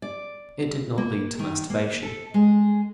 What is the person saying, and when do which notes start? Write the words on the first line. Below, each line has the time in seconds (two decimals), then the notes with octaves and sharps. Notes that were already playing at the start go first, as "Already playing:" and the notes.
It did not lead to masturbation.
0.02 D5
0.98 A#3
1.39 D#3
1.70 A#3
2.03 A4
2.34 G#3